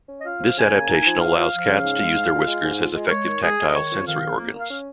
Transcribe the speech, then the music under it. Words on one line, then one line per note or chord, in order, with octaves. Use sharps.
This adaptation allows cats to use their whiskers as effective tactile sensory organs.
C#4
D#5
F4 F5
F3
C#3 G#5
A#3
D#4
F3
F3 F5
F3
F3
C#3
G#2
G#3
G#2
F4
G#3
G#2
F4
G#3
A#4
G#3 C#5
D#3
G#3 G#4
G#3
D#5
D#3 C#5
F2
D#3 F5
F2
A#3
A#3
F5
C#4